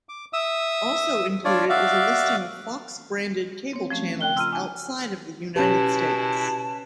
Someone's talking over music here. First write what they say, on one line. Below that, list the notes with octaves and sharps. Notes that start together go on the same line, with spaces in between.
Also included is a listing of Fox-branded cable channels outside of the United States.
D6
E5 D#6 E6
D4 F4 C#5 D5
F#4 D5 E5 F5
C4 C#5
F3 A3 C#4
C#3 G5 F#6 G7
F4 A#5 C6 E6 F6 D#7
D4 G#5 A5
B2 C#4 E4 G4 B4 A5